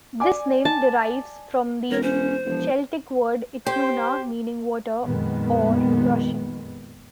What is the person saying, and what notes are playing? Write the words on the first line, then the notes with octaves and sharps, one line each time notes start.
This name derives from the Celtic word "ituna", meaning "water", or "rushing".
D5 G#5 D6
A5
E1 A#4 C#5
C#4 C5
E1 F3
G4 C5
F2 A#2 D#3 G#3 B3